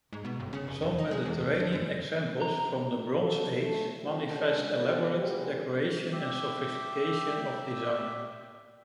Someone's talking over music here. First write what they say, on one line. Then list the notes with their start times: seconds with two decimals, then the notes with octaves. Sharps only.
Some Mediterranean examples from the Bronze Age manifest elaborate decoration and sophistication of design.
0.13 G#2
0.25 B2
0.40 G1
0.53 C#3
0.68 F1
0.82 E1
0.98 D#4
1.11 G#3
1.25 E2
1.40 A1
1.54 D3
1.72 F#2
2.42 A#5
3.16 D3 A#3 F#4 A4
3.59 A3
4.02 G2 B2 E3 F3 A3 C4
4.33 G2 B2 D3 G#3 C#4 D4
4.75 B2 F3 B3 G4 A4 D5
5.15 F3 G#3 B3 F#4 G4
6.12 G4 E5